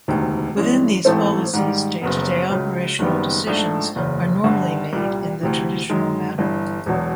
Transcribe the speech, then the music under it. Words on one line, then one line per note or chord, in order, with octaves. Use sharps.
Within these policies, day-to-day operational decisions are normally made in the traditional manner.
E1 D2 C3 D#3
G2 E3 G#3 C#4
A1 G#2 E3 A3 C4
G#2 D#3 G3
F#1 F#2 C#3 F#3 B3
C#2 C#3 F#3
F#1 F#2 D#3 G3 B3
A#1 G#2 F3 A3 D4
F#1 E2 C#3
G1 G2 D3
C2 A#2 G3
D2 C3 E3
F#2 D#3 G#3
G1 G2 E3
E1 E2 B2 F#3